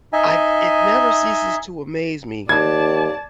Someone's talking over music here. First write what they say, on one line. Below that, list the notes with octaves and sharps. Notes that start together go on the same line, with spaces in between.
I it never ceases to amaze me
D#4 D#5 E5 G#5
D#2 D5 A5 G#6